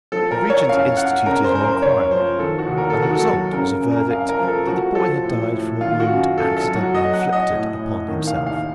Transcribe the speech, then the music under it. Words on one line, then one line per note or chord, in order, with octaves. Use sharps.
The Regent instituted an inquiry, and the result was a verdict that the boy had died from a wound accidentally inflicted upon himself.
F3 A4
A#4
F3
C#5
F#2 F5
F#2 F#5
C#3 A#4
C5
F#2 A#4
C5
F#2 C#5
F3 C5
D#3 A4
F#4
D#2
A#4
A4
D#2
F#4
A4
F#3
C#3 A#4
F#2
A#4
F#2 F5
A#4
F3
A4
F3 F#4
F3 A4
A2
A2
D#3 F4
F#4
F#2
F#2 A4
A4
F#3
F#4
F#3 D#5
F#5
F#3
D#5
A2
A2
D#3
F5
D#2
F5